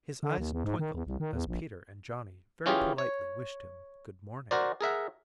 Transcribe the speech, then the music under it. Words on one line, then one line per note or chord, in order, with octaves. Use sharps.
His eyes twinkled as Peter and Johnny very politely wished him good morning.
D3
D#2
E2
G#2
D#3
E2
C2
D#3
E2
A#1
E3 C#4 F4 G4 G#4
C#5
F#4 A#4 C5 D5
G#4 A#4 E5 F#5